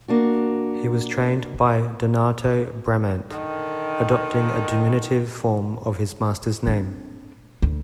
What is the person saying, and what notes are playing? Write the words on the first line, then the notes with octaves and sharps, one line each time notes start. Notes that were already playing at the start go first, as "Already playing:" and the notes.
He was trained by Donato Bramante, adopting a diminutive form of his master's name.
A#3 D4 F#4
D3 D#3
C4 D4
D2